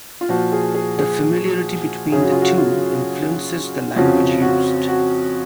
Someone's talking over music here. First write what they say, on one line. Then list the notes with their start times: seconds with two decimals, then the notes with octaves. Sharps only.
The familiarity between the two influences the language used.
0.21 F4
0.29 A#2 F3 F#4
0.52 G#4
0.75 G#4
0.98 G#4
2.12 F#2 C#3 F#3 G#4
2.22 F#4
2.32 F4
2.42 F#4
2.58 F4
3.96 F2 C#3 F3 F#4
4.42 F#4
4.88 F#4